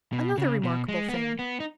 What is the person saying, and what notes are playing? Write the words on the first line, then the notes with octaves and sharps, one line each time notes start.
Another remarkable thing.
B2
C#3
B2
G#3
B3
A#3
B3
D#4